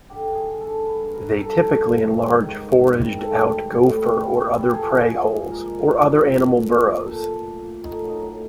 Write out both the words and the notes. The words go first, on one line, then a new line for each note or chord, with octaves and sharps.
They typically enlarge foraged out gopher or other prey holes, or other animal burrows.
D3 G4
G2
G#4
D3
A4
G2
D3 B4
G2 B4
A#4
G2
A4
G2
D#3 A4
G#2
G#2
G#2
D#3
G#2
G#2
G3
A2 A4
G3
E3
A2
G3
G3
E3
G3
A4
A#2 G#4
G#3
G#3
A#2
F3 A#4
G#3
A#2
F3
A#2
A3
A#2
A#2
A#2 A4
A3
A#2
A#2
A3 D#4
F#3
D#4
A2